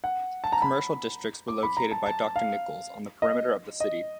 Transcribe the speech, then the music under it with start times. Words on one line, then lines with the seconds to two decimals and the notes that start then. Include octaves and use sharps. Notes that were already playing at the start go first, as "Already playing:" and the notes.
Commercial districts were located by Doctor Nichols on the perimeter of the city.
0.04 F#5
0.44 A5
0.52 A#5
0.62 B5
1.48 D6
1.63 B5
1.77 A#5
1.91 A5
2.06 A5
2.36 F5
3.22 D#5
3.80 D#5